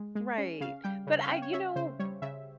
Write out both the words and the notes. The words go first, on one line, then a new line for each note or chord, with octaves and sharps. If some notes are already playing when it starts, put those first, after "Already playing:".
Right. But I you know,
Already playing: G#3
G#3
C#4
C#3 F5
G3 G5
C#3
F5
C#4 G5
C#5
C#4 E5
C#3 C5
G3 C#5
C#3 E5